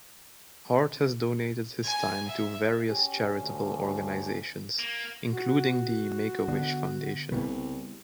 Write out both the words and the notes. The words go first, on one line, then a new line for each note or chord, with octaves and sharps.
Hart has donated his time to various charitable organizations, including the Make-A-Wish Foundation.
G#5
E5
C#4 G4
D2
A#3
F#4
D3 B3 D4
C2 C#3 G3 B3